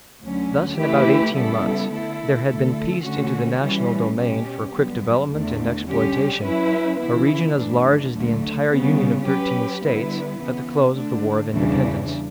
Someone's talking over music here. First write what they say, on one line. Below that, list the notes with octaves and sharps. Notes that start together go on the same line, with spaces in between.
Thus in about eighteen months there had been pieced into the national domain for quick development and exploitation a region as large as the entire Union of Thirteen States at the close of the War of Independence.
D2 D3 F#3 C#4
E3 A3 E4 G4 B4
C#3 G3 B3 E4 A4
D3 A3 E4 A4
D2 D3 A3 E4 A4
D3 A3 C#4 F#4
E3 G3 C#4
B2 G3 C#4 G4
G2 D3 F#3 B3
E2 D3 A3 D4
D3 G3 C#4 G4
F#3 C#4 E4 B4
C#3 E3 B3 E4
G2 E3 A3 D4
D2 D3 F#3 A3
C#3 G3 B3
F#3 C#4 G4 B4
D3 G3 B3 E4 B4
C#3 E3 B3
D3 A3 D4
E2 C#3 E3 G3 D4